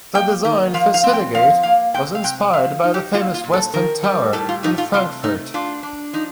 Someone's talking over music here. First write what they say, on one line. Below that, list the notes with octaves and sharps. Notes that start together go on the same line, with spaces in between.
The design for City Gate was inspired by the famous Westend Tower in Frankfurt.
A#3 G5
D#3
F3 F5
F5
C4
G5
F3 F5
A#3 F5
C3 G5
F5
C3 G5
F3 F5
D#4
G4
A#3 F4
F4
A#2
A4
D#3 A#4
G3
A2 A4
F4
A3 D#4
F4
C3 F4
A3 D#4
D4 F4
D4
F3 D#4